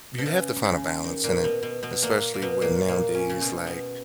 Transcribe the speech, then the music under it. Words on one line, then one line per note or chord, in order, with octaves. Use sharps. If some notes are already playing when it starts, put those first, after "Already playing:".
you have to find a balance in it, especially with, nowadays, like,
B2
C#3
C#3
D#3
A#2 A#3
B2 B3
B2 B3
B2 B3
A#2 A#3
A#3
B2 B3
A#2 A#3
A#2 A#3
C#4
C#3 C#4
B2 B3
B2 B3